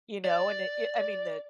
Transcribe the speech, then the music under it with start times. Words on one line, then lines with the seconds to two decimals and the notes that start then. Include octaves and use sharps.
you know? And, i eh, I mean, the
0.25 D5